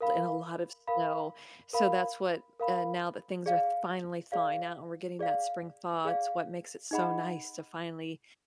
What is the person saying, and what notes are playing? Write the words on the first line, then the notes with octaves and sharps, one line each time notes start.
and a lot of snow, so that's what, uh now that things are th finally thawing out and we're getting that spring thaw, it's what makes it so nice to finally,
A#4 F5 B5
A#4 F5 B5
A#4 F5 B5
A#4 F5 B5
G#4 D5 F5
G#4 D5 F5
G#4 D5 F5
G#4 D5 F5
D#4 G#4 D#5 F#5 B5